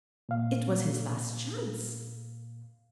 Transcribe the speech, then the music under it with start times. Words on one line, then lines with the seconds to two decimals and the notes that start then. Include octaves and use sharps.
It was his last chance.
0.29 A#2 F5